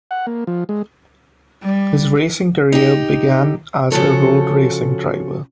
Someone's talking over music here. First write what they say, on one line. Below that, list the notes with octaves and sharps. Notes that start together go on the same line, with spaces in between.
His racing career began as a road racing driver.
F#5
A#3
F3
G#3
G3
D#4 G4
C#3 F3 F#4 A4 C#5